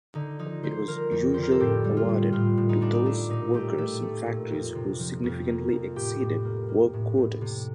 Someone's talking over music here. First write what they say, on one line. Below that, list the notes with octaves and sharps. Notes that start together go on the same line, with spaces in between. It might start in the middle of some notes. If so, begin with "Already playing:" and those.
It was usually awarded to those workers in factories who significantly exceeded work quotas.
D3 D#4
F3 D#4
D3 C5
F3 A#4
F2
D3 C5
A#4
A4
A2 G4
G3
F4
A2
A2 F4
A2
D#4
A2 D4
D#4
A3 D4
A#2 D#4
A3 G4
A3 A4
A3
A#2
F2
C3
F3
F2
A#3
F2
A2 G4
A2
A#3
A#3
A2
A2
C3